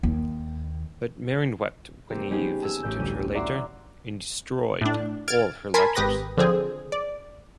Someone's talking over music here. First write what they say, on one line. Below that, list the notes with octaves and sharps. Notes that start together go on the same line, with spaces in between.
But Mering wept when he visited her later, and destroyed all her letters.
D#2
A#3 C4 G4
G3 B3 C#4 D#4 G4 G#4
G#5 A5 E6
A1 G6
D2 G3 C#4 D#7
C#5 D5 E5 F#5 A#5 C6
A2 D4
F6 G#6 A6 D7
A#4 G#5 A5 B5 C6 G#6
G#1 G4 B4 D#6 A#6
D3 F3 C4 G#4
D5